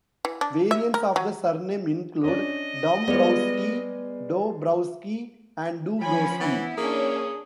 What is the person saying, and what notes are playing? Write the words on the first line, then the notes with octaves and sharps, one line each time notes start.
Variants of the surname include Dombrowski, Dobrowski, and Dobrosky.
E3
D4
E5
A#4
F#3
C#4 D4 D#5
G3 G#3 B3 B4 D5
F3 C#4 F4 G#5 B5
E3 B3 E4
A#3 C#4 D4 G#4